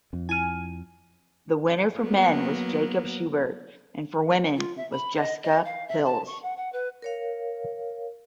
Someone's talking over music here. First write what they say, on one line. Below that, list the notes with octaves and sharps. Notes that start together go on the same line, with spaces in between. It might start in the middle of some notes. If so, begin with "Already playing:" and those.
The winner for men was Jakob Schubert and for women was Jessica Pilz.
F2
E4 G#5 F6 D#7
F#3 A#3 B3
F4
E5
B5
D#5
D#5
F5
E5
A5
C#6
F#5
F#5
B4
A#4 C#5 F5